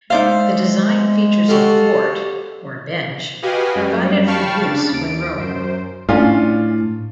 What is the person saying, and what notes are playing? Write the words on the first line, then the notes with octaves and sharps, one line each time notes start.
The design features a thwart, or bench, provided for use when rowing.
G#3 D#4 C5 D5 E5 F5
F#4 G4 A4 F5
F#4 G4 B4 D#5 F5 G#5
F#2 G3
F5 G5 A5 B5 C#6 F6
C#3 D4 A6
D#2 D7
F#2 C5
A2 C#4 D4 F4